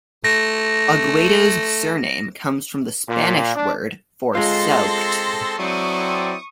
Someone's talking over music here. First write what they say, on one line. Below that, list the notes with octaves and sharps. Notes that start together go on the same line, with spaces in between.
Aguado's surname comes from the Spanish word for soaked.
A3 A#6
A#2
D4
G#3 C4 F4 G#4 A4 C6 A#6 C7
F#3 C4 E4 A4 D5 C#6 D#6